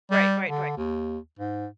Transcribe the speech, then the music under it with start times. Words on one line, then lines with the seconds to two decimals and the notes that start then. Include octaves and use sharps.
Right, right, right.
0.11 G3
0.48 D3
0.76 D#2
1.39 G#2